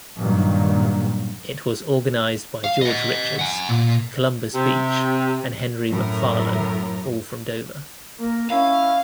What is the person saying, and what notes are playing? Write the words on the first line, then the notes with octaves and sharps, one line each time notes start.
It was organized by George Richards, Columbus Beach, and Henry McFarlan, all from Dover.
G2 A#2 D#3 F#3
F5
D#5 F#5
F#5 G#5
A#2
C3
F#2 A2 A#4
A#3 A#4
C#4 E4 F5